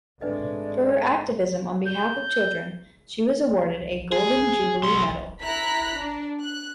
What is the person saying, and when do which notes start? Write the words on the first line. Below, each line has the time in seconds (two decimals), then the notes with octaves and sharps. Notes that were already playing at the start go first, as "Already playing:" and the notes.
For her activism on behalf of children, she was awarded a Golden Jubilee Medal.
0.21 G#1 G#3 A3 D4 B4 D5 D#5
1.85 G6
4.12 G#4
4.83 B1 C6
5.42 E4 A#5 F#6 B6
5.97 D4
6.42 F#6